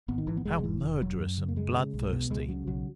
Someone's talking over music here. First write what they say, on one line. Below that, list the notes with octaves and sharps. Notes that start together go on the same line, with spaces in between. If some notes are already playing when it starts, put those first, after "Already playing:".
"How murderous and bloodthirsty!"
G#1 B3
D#3
G#1 E3
B3
E1 G#3
F#3
E1 E3
E1
E1 F#3
F#2
C#3
A#3
F#2 G#3
C#3
B1
B2
C#2 G#3
C#3 F#3
B1 F#3